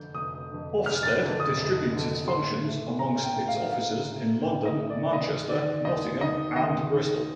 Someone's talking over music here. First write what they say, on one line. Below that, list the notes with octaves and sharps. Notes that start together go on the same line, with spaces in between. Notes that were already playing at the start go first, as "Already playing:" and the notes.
Ofsted distributes its functions amongst its offices in London, Manchester, Nottingham, and Bristol.
Already playing: F1 F2 D3 G6
F1 D#6
F2 D3
F1 F6
A6
F2 D3
D#6
F1
F2 D3
A1 C6
A2
A1 A#5
G5
A2
F5
A1 F5
A2
A1 G5
D#5
A2
D5
D#2 D#5
D#3 D5
D#2 D#5
D#3 D#5
D#2 D#5
D#3